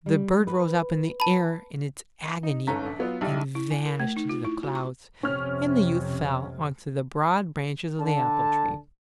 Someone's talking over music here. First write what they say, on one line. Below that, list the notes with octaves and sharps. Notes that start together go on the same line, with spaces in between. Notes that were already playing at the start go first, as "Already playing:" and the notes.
The bird rose up in the air in its agony and vanished into the clouds, and the youth fell on to the broad branches of the apple-tree.
G3
B4
A5 B5
D#4
G1 G#2 C#4 A4 A#5 B6
A#1
F#3 B3 F4
B1 G3 D#4 E4
E4
G#5
A#4
A3
D#4
F4
E4
F#4
C#6
F2 C3 C#4 F6
D3 A5